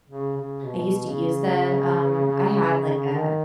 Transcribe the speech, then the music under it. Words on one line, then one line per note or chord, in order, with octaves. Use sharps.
I used to use the, um I had, like, a
C#3
C#3
B2
C#3
D#3